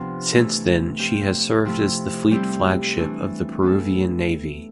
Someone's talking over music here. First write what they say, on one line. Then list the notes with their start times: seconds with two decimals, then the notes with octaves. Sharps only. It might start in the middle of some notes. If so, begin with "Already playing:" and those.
Since then, she has served as the fleet flagship of the Peruvian Navy.
Already playing: C3 F3 B3 D4 F4
0.32 E3 A3 E4
0.98 F3 C4 G4
1.65 C3 F3 A3 E4
2.31 G3 C4 E4 G4
2.97 E3 A3 D4
3.62 E3 B3 E4 A4